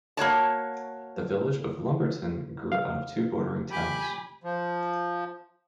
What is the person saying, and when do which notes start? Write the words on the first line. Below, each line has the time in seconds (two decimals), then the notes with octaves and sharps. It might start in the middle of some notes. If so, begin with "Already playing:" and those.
The village of Lumberton grew out of two bordering towns.
0.17 A#3 F#4 C#5 A5
2.72 F5
3.71 G4 G#5 B5
4.44 F3